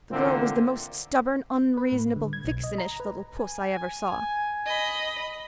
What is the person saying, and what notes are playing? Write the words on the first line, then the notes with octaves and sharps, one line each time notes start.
The girl was the most stubborn, unreasonable, vixenish little puss I ever saw.
A#2 D3 E3 A#3 C4
B4
A2
D3
G#6
B1
D#5
A#5
B4
G#5
D#5 B5